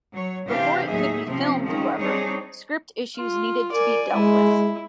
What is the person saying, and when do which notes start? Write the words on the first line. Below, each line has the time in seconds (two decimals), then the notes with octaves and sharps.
Before it could be filmed, however, script issues needed to be dealt with.
0.14 F#3 C#5
0.48 C3 E3 D4 G4 C5 F5
0.87 D#2 A2 F#3 D#4 G#4 E5
1.27 C3 F3 C4 C#4
1.65 D#3 F3 G#3 C#4
1.99 G3 C4 D4 D#4 G#4 C#5
3.16 F4
3.72 A#4 D5 G#5
4.13 G#3 E4